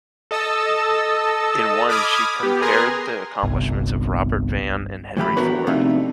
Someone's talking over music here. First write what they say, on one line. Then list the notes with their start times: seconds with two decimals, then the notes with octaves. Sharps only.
In one, she compared the accomplishments of Robert Vann and Henry Ford.
0.31 A4 D#5 A5 E6
1.89 B5 D6 D#6 F6 G#6
2.40 B3 G4
2.62 G#4 A#4 B4 G#5 A#5 C6
3.43 G1 C2
5.17 A2 E3 G4 B5
5.36 B3 D4 F#4 A#4 B4 C#5
5.67 F2 C3 A3 D4 D#4